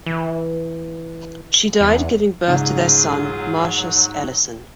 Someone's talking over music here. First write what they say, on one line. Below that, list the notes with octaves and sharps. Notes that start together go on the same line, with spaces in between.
She died giving birth to their son Martius Ellison.
E3
E2
G#2 C#3 F#3 C#4 F4 G#4